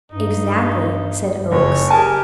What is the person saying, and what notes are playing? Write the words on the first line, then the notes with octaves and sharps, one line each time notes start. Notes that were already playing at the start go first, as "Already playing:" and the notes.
"Exactly," said Oakes.
G2 D#4
F#1 C#5
G4 G#4 A#4 G#5 A5